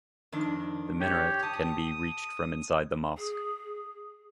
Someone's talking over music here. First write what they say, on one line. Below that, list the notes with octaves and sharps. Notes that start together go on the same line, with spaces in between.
The minaret can be reached from inside the mosque.
F2 D#3 D4
G4 C#5
A5 D#6
G#4